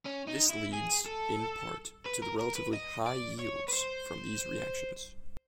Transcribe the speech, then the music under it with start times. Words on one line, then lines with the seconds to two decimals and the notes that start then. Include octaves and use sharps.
This leads, in part, to relatively high yields from these reactions.
0.05 C#4
0.27 D#4
0.49 E4
0.73 G#4
1.06 A4
2.06 B4
2.22 A#4
2.40 A#4
2.56 B4
2.73 D#5
3.06 D5
3.39 C#5
3.68 B4
3.73 C5